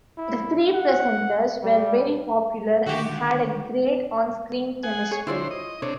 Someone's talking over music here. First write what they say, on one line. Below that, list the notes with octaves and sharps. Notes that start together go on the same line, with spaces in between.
The three presenters were very popular and had a great on screen chemistry.
E4
F#5
G3
D3 D#3 F#4 G4
G#4 F#5 G#5
G#4 C#5
D3 E4 F4 C5 C#5
D#5
C3 D4 C#5